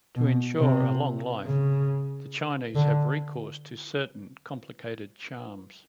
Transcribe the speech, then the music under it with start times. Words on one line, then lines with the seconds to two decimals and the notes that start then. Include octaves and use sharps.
To ensure a long life the Chinese have recourse to certain complicated charms.
0.16 B2
0.60 C3
1.45 C#3
2.75 D3